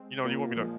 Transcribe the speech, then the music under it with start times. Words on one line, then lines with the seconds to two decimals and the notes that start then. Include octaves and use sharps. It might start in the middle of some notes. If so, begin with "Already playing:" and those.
you know, "you want me to
Already playing: G#3 C4
0.23 A#2 G3 A#3
0.55 F3 G#3